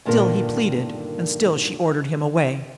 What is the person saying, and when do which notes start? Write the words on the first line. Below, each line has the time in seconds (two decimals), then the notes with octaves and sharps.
Still he pleaded, and still she ordered him away.
0.05 G2 A#2 D3 D#3 A#4